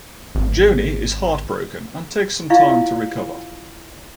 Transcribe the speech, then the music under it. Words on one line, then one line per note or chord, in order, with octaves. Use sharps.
Joanie is heartbroken, and takes some time to recover.
G#1
E4 F4 D5 F5 C#6